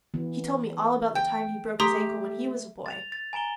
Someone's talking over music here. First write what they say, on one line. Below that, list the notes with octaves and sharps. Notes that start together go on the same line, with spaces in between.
He told me all about the time he broke his ankle when he was a boy.
E3 B3
G5
A3 G4 A#5 C6 D#6
A6 F7
A6
G#5 A#5 D7 G7